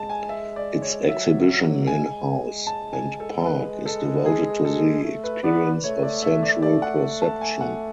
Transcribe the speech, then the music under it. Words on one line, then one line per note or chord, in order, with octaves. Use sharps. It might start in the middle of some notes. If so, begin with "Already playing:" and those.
Its exhibition in house and park is devoted to the experience of sensual perception.
Already playing: G#3 A5
G#5
E5
D5
C#5
F#3 E5
G#3 G#5
A5
G#5
A4
B4
A4
G#4
A4
A3
B4
B3 D5
B4
A3 C#5
D5
E5
D5
A3 D5
F#5
A5
G#5
F#5